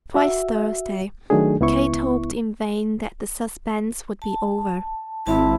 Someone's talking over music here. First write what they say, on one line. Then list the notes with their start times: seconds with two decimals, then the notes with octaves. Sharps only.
Twice Thursday, Kate hoped in vain that the suspense would be over.
0.14 F#4 E5
1.30 D#3 F#3 A3 D4 G#4
1.61 C#2 B3 E4 C#6
4.22 A5
5.27 G#1 C4 E4 A5